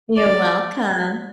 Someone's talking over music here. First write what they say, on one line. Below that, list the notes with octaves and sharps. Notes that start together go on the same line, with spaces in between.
You're welcome!
D5